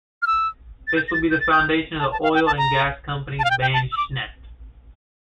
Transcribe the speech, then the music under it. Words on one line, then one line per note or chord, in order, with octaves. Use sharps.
This would be the foundation of the oil and gas company Bashneft.
F6
E6
A6
G6
A#6
A6
G6
A6
G6
A5
A5
F5
G5
A5
A#5
A5
F5
G5
G5
A5
E6
D6